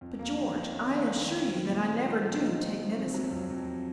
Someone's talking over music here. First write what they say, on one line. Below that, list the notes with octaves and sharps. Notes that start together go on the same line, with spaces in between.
"But, George, I assure you that I never do take medicine."
F2
A#3
D#3
D#3
C#4
A#3
D#3
D#3
C4
A#2
D#4
F3
A#2
D#4
C4
C4
C3
F#3
F2
F2